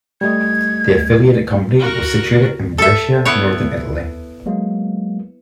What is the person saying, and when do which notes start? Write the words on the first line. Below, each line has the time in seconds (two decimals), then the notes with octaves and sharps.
The affiliated company was situated in Brescia, Northern Italy.
0.21 G3 A3 D#5 G#6
1.79 F#4 A#4
2.78 A4 E5
3.25 B3 E4 C#5
4.46 F#3 G#3 A#3